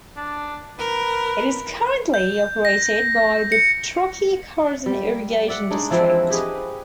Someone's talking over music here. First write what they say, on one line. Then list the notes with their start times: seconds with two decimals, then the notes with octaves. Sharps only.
It is currently operated by the Truckee-Carson Irrigation District.
0.17 D4
0.79 A#4 B4
2.14 G6
2.65 A#6
3.52 C#7
4.86 G3
5.48 D5 E5 F#5
5.71 G#3 D4 D#4
5.90 E3 F3 C4 E4
6.30 G4 G#4 B4 D#5